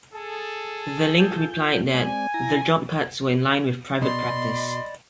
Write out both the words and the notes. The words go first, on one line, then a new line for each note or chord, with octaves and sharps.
The Link replied that "the job cuts were in line with private practice".
G#4 A4
F4 G#5 G6
G#3 C4 D5 G#5
E4 A#5 A#6
B2 D5 D#5 B5 C6